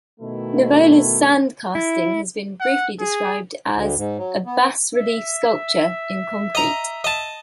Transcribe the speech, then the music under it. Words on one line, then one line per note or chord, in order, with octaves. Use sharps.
Nivola's sand casting has been briefly described as a bas-relief sculpture in concrete.
B2 D#3 A3 E4
E4
F#5
G#4
D2
G#2
F#3
B3
E5
D#5 A#5
D#5 A5